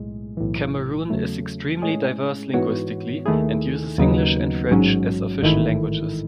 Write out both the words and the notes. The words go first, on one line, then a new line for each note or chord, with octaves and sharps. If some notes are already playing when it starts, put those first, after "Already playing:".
Cameroon is extremely diverse linguistically and uses English and French as official languages.
Already playing: B1 A2 G#3
B1 A2 E3
E2 C#3 F#3 A3
A2 G#3 C#4 G#4
G#2 E3 B3 F#4 C#5
D#2 D#3 A3 E4 G#4
D#2 C#3 F#3 B3 D#4
A1 G#2 F#3 C#4
A1 G#2 D#3 A3 E4